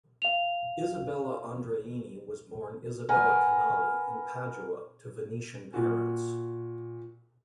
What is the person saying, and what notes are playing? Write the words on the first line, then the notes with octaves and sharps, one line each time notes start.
Isabella Andreini was born Isabella Canali in Padua, to Venetian parents.
F5 F7
A#4 B4 F#5 G#5
A#2 F#4